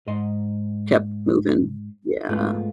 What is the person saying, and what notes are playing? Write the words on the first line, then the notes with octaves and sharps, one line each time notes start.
kept moving. Yeah.
G#2 D#5 C6
G#2 G#3 A3 B3 F4